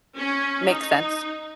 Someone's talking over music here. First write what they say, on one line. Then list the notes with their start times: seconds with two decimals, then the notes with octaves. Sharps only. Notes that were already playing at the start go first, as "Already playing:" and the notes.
makes sense.
0.18 C#4
0.65 D#4